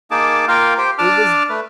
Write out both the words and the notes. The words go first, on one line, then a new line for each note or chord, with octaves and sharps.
It was
A#3 D#4 G#4 A5 D6
A#3 F4 A#4 F5 G5
G4 C5 G5
D4 A5 D6 F6
A3 B4